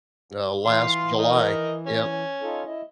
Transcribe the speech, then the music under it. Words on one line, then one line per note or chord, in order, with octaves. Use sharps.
uh, last July Yep.
E3 F5 C6
A#4 D#5
C#4
D#4 F4 A4
E4 D#5